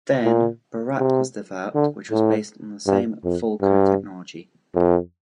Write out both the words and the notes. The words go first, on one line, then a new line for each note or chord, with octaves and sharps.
Then, Burraq was developed which was based on the same Falco technology.
A#2
C3
D3
A2
G2
F2
G2
F2